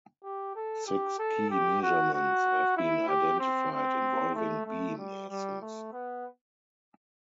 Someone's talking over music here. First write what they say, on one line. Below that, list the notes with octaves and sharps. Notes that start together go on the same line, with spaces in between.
Six key measurements have been identified involving B mesons.
G4
A4
G4
A4
G4
F#4
F#4
E4
G4
C4
C4
A3
A3
G3
G3
A3
B3